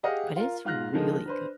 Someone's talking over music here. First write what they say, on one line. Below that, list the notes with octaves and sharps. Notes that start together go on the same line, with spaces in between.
but it's really
G4 G#4 D#5 F5 F#5 F6
F4 A#4
G#2 F4 F6 F#6 A#6
D3 D#3 F3 G#3
D4 B4 C5